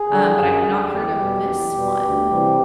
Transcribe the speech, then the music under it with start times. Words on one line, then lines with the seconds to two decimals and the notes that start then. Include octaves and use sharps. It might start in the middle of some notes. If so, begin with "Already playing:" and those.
um, but I have not heard of this one.
Already playing: G#4
0.09 D3 G3
0.37 F#2
0.64 D3 G3
0.92 E2 G4
1.20 B2 G3
1.47 E2
1.75 B2 G3
2.02 D2
2.30 C3 E3 G3